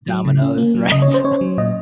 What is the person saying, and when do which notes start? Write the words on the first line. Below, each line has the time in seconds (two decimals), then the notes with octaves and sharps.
Domino's, right?
0.08 F#3
0.25 C#3
0.42 C#4
0.58 A#3
0.75 F#3
0.92 C#3 D#5
1.02 C#5
1.08 C#4
1.14 C5
1.24 C#4 C#5
1.41 F#3
1.58 A#2 D#5